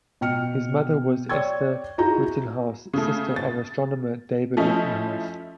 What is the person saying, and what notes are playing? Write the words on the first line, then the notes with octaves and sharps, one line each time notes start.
His mother was Esther Rittenhouse, sister of astronomer David Rittenhouse.
B2 G5 F6 C#7
C#5 D5 G5 C#6 E6 G#6
D#4 E4 F#4 G#4 A#5 G6
C#3 A3
A6
F3 A3 C#4 E4 D#5